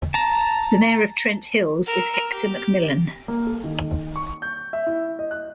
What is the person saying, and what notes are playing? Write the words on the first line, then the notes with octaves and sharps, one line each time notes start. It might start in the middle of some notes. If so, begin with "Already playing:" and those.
The mayor of Trent Hills is Hector MacMillan.
A5 A#5
A#4 E6
G4
A#3
A4
D#3
C#6
G6
E5
E4
D#5
F#6